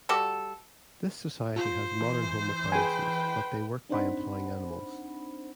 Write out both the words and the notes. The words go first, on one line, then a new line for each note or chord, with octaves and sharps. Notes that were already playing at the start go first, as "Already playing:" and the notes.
This society has modern home appliances, but they work by employing animals.
G3 F#4 A4
F4 C5
E3
G#4 B4 G5 G#5
C4 D4 D#4 C5 F#5 B5